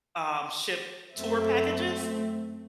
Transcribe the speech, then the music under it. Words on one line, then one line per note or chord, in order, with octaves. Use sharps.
um, ship tour packages.
F#2 A3 C4 E5